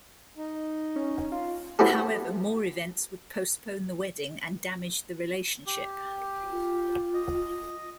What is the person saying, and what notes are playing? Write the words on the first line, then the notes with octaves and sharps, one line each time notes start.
However, more events would postpone the wedding and damage the relationship.
D#4
C#4
F4
B3 C4 E4 F#4 G4 A4
G4
F4
D#5